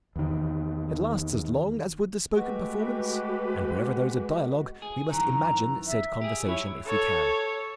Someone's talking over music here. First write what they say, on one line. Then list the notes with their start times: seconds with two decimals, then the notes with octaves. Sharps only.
It lasts as long as would the spoken performance, and wherever there is a dialogue we must imagine said conversation if we can.
0.16 E2 D#3
2.36 G#3 A3 F#4 G4 B4
4.82 G#4
5.10 F#2 D#3 E3 A#5
5.86 E5
6.21 G4 G#4
6.45 F#3 E4 C#5
6.85 A4 C#5